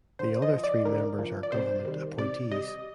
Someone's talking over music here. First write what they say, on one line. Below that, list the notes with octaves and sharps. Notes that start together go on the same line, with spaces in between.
The other three members are government appointees.
D3 C5
D#5
F3
D5
D3 A#4
F3
D5
C3 C5
D#3 G3
C3 D5
G3 D#5